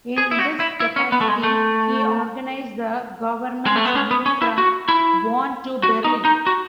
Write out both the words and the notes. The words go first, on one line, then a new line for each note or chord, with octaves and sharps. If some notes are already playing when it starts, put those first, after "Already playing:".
In this capacity, he organized the government's move from Bonn to Berlin.
G#4
E4
F#4
E4
E4
C#4
B3
A3
G#3
A3
G#3
A3
B3
C#4
B3
C#4
E4
F#4
E4
F#4
D#4
D#4
F#4